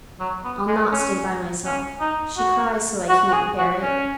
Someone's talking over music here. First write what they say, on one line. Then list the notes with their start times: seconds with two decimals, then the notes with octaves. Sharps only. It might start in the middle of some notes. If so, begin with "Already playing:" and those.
'I'll not stay by myself. She cries so I can't bear it.
0.20 F#3
0.44 B3
0.68 G#3
0.92 C#4
1.65 C#4
2.01 D#4
2.38 F#4
3.09 F#4
3.29 F#4
3.33 G#4
3.58 F#4
3.82 C#4